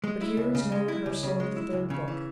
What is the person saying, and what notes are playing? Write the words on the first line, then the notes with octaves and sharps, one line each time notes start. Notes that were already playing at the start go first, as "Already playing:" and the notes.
But here is no rehersal of the third book.
G#3
E4
C#2
C#3
G#3
E4
C#2
C#3
G#3
E4
C#2
C#3
E3